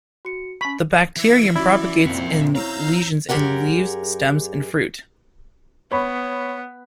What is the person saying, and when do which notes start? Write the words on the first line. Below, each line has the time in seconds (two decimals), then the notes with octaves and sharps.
The bacterium propagates in lesions in leaves, stems, and fruit.
0.25 F#4 C#7
0.61 C#4 B5 C#6 B6
1.16 E3 E6 G#6 A#6
1.56 C#4 E4 F#4 D5
2.06 F2 A#2 C4 E5 F#5
2.55 E4 C#5 F5 A#5 E6 G6
3.29 F#2 G4 G#4 A#4 F#5
5.91 B3 C#5 B5